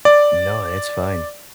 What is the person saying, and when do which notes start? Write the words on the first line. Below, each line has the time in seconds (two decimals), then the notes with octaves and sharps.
No, it's fine.
0.05 D5